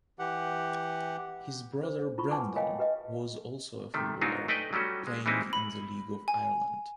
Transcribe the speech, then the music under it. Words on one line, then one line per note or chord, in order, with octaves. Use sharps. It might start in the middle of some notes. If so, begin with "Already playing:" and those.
His brother Brendan was also a footballer, playing in the League of Ireland.
E3 G4 F#5
C5
E4 F4 B5 C#6
B4 F#5 G#5 A5 C#6 D6
A#4 C#5 D#5 F5 G5 G#5
G4 B4 D#5
C3 D#3 A3
G#2 F#3 D4 D#4 F4 F#4
A3 D#4 B4 D5 D#5 G5
F#3 G3 A3 C#4 F#4
G#3
E3 G3 G#3 C4 D#4 E4
B5
G#5